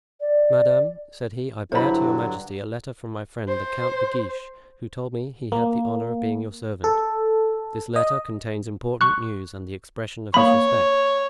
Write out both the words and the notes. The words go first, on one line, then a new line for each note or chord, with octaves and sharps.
"Madame," said he, "I bear to your majesty a letter from my friend the Count de Guiche, who told me he had the honor of being your servant; this letter contains important news and the expression of his respect."
D5
G2 D3 F#3 E4 C5 B5
C5
A#3
A4
D#5
C#6 F#6
A#3 C#5 B5